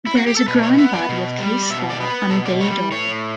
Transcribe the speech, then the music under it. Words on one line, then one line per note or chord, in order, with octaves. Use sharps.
There is a growing body of case law on Bayh-Dole.
E4
F#4
G4
A4
B2 B4
C#5
B3 E5
D5
B2
G3
D5
B2 E5
D5
B3
B4
B2 A4
D5
G3 C#5
A2 C#5